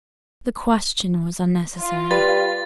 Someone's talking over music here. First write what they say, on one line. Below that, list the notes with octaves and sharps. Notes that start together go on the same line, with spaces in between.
The question was unnecessary.
F4
G3 B4 A6